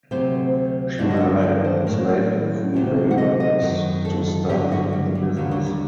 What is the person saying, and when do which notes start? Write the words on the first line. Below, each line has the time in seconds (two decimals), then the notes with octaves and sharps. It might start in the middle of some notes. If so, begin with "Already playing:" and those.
She relied on enslaved and free laborers to staff the business.
0.11 D2 C3 F#3 C5
0.98 G2 D3 F#3 D5
1.10 D#5
1.20 F#5
1.42 D5
1.64 C5
1.87 A2 A#4
1.90 F#3
2.09 D5
2.74 D2 C3 D#3 F#3
3.11 F#5
3.18 D#5
3.40 D#5
3.61 F#2 D#3 F#3
4.05 A4
4.28 A4
4.49 G2 D3 F#3 G4
4.72 F#4
4.93 G3
5.15 G3
5.36 D#2 D3 F#3 G3
5.51 F#3
5.66 G3